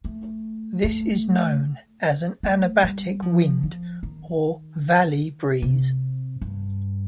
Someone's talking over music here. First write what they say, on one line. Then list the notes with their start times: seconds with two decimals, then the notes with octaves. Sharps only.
This is known as an anabatic wind or valley breeze.
0.04 A3
0.84 A3
2.43 A3
2.83 G3
3.22 F3
3.63 F3
4.03 D#3
5.62 C3
6.41 G2